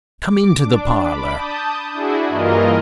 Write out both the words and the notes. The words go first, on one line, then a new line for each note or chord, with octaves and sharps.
Come into the parlour.
D6
D4
B5 D6
A5 D#6 G6
D4 E4 F#4 G#4
G2 E3 A#3 F4 A#4 D#5